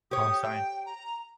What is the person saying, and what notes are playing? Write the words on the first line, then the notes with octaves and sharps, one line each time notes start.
Oh, sorry.
G4 C#5 D#6
G5
A#5